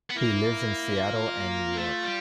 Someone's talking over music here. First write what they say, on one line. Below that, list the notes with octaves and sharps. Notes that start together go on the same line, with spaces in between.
He lives in Seattle and New York.
B3
A#3 E4
F4
A3
G3